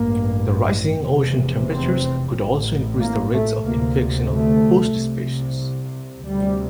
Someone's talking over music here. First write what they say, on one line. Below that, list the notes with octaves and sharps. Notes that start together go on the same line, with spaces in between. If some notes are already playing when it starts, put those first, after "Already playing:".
The rising ocean temperatures could also increase the rates of infection of host species.
Already playing: A1 G2 A#3
F1 E2 C3
C4
A1
A2
A#3
A3
D2 C3 A#3
A3
C2 C3
D2 C3 G3